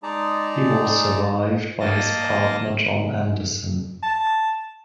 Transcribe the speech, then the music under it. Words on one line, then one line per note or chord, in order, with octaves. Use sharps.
He was survived by his partner John Anderson.
G#3 D#4 G#4 D5 A5 A#5
A#3 D#5 A5 A#6
A5